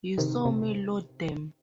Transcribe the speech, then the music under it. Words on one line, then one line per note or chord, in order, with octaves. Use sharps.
You saw me load them.
C3 D#3
C3